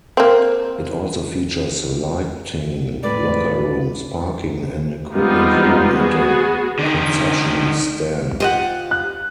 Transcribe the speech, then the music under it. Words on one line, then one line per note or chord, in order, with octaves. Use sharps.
It also features lighting, locker rooms, parking, an equipment room and a concession stand.
A#3 C4
F2 A2 G#3 B4 D5
G3 G#3 B3 C4 D#4 F4
B3 F#4 G#4
D3 D#4
F4 G4 C5 D#5 F#5
F#6